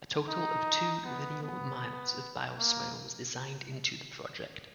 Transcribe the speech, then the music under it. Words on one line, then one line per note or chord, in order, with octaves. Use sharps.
A total of two lineal miles of bioswale was designed into the project.
D#4
B3
B3
A#3